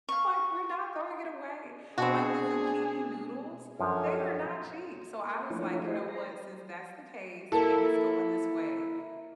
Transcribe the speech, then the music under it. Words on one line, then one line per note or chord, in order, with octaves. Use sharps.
like, we're not throwing it away, like, the zucchini noodles? They are not cheap, so I was like, "You know what? Since that's the case and it's going this way"
F5 C#6
B2 C4 D4 F#4 G#4
F#2 F3 C#4 D4 A4
A#3
F3 A3 D4 E4 F4 C#5
E4 G4 G#4 C5 D#5
C5 A#5
A#3 E4 A4